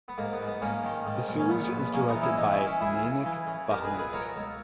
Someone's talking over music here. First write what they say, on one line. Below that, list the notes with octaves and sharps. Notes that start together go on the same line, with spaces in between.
The series is directed by Mainak Bhaumik.
B3
G#2 A#3
B3
G#2
B3
G#2 A#3 C#4
D#3
G#2
A#1
C#4
A#1 B3
B3
A#1
B3
A#1 A#3 C#4
B3 D#4
E3
C#4 E4
E3 B3 D#4
C#4 E4
E3
C#4 E4
C#2 E4 G#4
C#3
E3
C#3
B2 G4 A#4
G#4 B4
C#2
G#4 B4
B2 A#4 C#5
C#2